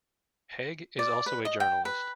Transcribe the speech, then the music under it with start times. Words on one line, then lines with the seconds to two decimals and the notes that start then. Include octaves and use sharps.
Hague is also a journalist.
0.99 D5
1.26 B4
1.45 D#5
1.60 G5
1.85 B4